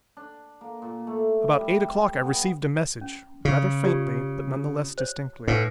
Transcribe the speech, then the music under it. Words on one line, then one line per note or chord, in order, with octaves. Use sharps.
About eight o'clock I received a message, rather faintly, but none the less distinctly.
D4
A#3
A#2
A3
G3
B3
C#4
C#3
F4 G4 D5
C5 C#5
A2 D#4 B4 F5